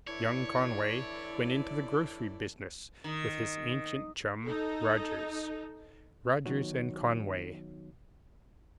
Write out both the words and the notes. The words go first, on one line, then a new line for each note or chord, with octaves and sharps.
Young Conway went into the grocery business with his ancient chum, Rodgers--RODGERS & CONWAY!
D3 E3 E4 C#5 D5
D#3
D#4 A4
D#3 F#3 B3 D#4 F#4 C#5